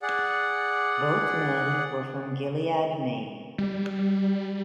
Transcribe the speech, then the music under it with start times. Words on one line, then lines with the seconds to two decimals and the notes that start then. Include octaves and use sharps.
Both men were from Gilead, Maine.
0.02 G#4 D5 F#5
3.58 G3